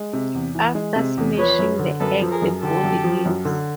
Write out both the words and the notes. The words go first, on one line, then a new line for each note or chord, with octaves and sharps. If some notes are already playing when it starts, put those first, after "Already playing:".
After smashing the egg the boy leaves.
Already playing: G#3
C3
E2
E3
G#3
C3
E2
F3 B4 C#5
F#2
D3
F#2 A4 B4
F3
G#4 A#4
F#2
D3 G4 A4
F#2
F3
F#2
D3